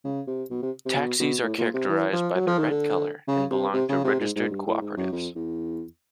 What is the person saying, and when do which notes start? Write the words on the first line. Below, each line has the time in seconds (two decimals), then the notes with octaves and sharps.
Taxis are characterized by their red color and belong to registered cooperatives.
0.04 C#3
0.27 C3
0.50 B2
0.62 C3
0.85 C3
0.96 B2
1.20 B2
1.42 A2
1.58 A#2
1.73 C3
1.89 E3
2.12 F3
2.35 F#3
2.47 F3
2.58 D#3
2.70 D3
3.28 C#3
3.51 C3
3.73 C3
3.89 C#3
4.04 C3
4.20 G#2
4.36 G#2
4.51 G2
4.66 A2
4.81 G#2
4.97 F#2
5.12 F2
5.35 E2